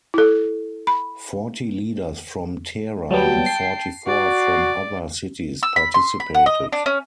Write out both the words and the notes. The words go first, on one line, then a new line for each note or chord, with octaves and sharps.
Forty leaders from Tehran and forty-four from other cities participated.
E4 A4
B5
F#3 G3 B3 G5 A5
C7
F#4 D5
E6
B5
C6
B5
F#5
D#5
D4
C#4